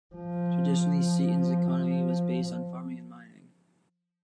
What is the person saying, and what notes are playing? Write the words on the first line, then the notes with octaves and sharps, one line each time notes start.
Traditionally, Seaton's economy was based on farming and mining.
F3
F3